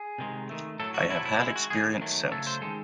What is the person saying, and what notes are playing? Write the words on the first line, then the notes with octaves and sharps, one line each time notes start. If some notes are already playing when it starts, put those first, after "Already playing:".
I have had experience since.
Already playing: G#4
C3 D#3 G#3
D#3 A3
A2 F#3 A3 A4
F#4
C3 F#3 A3 E4
E4
D#3 G#3 E4
F#4
D#3 G#3 G#4
D#3 F#3 A3
C#3 F#3 A3 A4
C5
D#3 G#3 A4